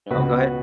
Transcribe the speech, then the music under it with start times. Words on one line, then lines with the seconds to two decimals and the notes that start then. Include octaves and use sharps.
no, go head.
0.11 C#2 B2 F#4 B4